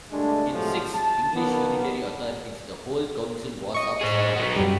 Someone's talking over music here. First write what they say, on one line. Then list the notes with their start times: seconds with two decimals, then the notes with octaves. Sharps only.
In six English Unitary authorities, the whole council was up for election.
0.12 G2 D3 G#3 A3 D4
0.53 A2 C3 F3 F#3 G#3
0.94 A5
1.34 D#3 F#3 A#3 B3
3.74 D#5 C#6
4.01 G#4 C5
4.36 F#3 B3
4.56 F#2 G3